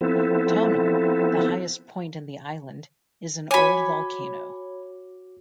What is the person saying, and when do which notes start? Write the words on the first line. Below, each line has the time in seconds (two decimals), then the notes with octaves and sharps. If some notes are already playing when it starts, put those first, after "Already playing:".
Tono, the highest point in the island, is an old volcano.
0.01 F3 B3 C4 E4 A4
3.51 F#4 C#5 G#5 B5 D6